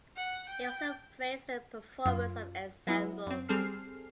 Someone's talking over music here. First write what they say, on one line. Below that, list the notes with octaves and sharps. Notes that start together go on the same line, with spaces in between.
He also praised the performance of ensemble.
F#5
G5
F#2 F4
F#3 B3 E4
F#2 C4
G3 C4 G#4 A4 F6 C7